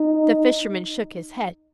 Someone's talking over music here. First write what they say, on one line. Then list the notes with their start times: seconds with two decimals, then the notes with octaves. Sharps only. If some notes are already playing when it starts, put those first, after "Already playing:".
The fisherman shook his head.
Already playing: D#4